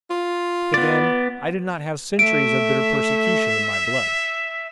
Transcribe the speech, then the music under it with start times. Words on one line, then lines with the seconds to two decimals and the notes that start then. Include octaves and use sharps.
But then I did not have centuries of bitter persecution in my blood.
0.10 F4
0.74 B3 D5
2.19 A3 E5 D7